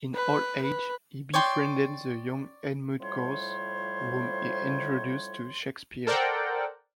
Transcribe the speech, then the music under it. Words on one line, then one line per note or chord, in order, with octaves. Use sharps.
In old age he befriended the young Edmund Gosse, whom he introduced to Shakespeare.
B4
B4
C#5 D5 G5 C6
A2 F3 G3 C5 C#5 C6
A4 A#4 C5 D5 F#5 G5